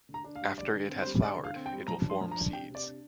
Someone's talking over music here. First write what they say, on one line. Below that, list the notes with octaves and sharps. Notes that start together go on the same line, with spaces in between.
After it has flowered it will form seeds.
D3
A#5
D4
F5
G3
D3 D5
D3
C4
C5
G3
D3 D5
D3
F5
C4
G5
G3
F3 A#5
D4
C6
F3
A#5
D4
C3 G5
C3
D5
D4